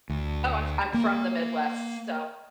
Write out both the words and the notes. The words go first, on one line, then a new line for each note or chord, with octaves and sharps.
Oh, I'm I'm from the Midwest, so
D2
A#3